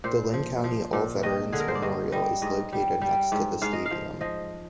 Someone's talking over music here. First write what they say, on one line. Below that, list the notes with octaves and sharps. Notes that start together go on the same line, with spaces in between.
The Linn County All Veterans Memorial is located next to the stadium.
A#2 C5
F3
F3
A#2
G2 D#5
D3 G#4
A#4
C5
D5
G2 D#5
G3 D#5
G#2 D#5
G3
G3
G#2
G#2 F5
D#5
F5
F3
F3 D#5